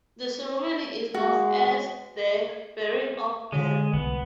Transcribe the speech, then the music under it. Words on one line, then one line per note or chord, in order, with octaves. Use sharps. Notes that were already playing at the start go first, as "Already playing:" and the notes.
The ceremony is known as the "burying of Death".
G#3 F#4
D3 G#3
C2 B3